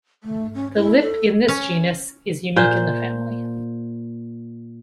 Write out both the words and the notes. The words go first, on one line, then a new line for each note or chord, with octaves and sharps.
The lip in this genus is unique in the family.
A3
C#4
E4
A4
C#4
A#2 C5